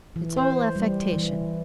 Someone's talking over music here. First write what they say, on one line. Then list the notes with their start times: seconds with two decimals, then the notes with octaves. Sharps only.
It's all affectation.
0.16 E3
0.36 C5
0.76 G3
1.13 E3